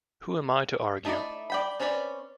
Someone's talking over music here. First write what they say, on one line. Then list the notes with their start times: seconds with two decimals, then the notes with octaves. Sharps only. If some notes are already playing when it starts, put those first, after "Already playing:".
Who am I to argue?
1.05 A3 D#4 E4 D5
1.50 D5 G5 B5
1.80 C4 C#4 B4 C#5 D5